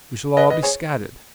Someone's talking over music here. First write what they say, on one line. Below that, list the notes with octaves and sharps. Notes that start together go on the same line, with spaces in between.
We shall all be scattered.
B4 D#5
B4 D#5
G#4 C#5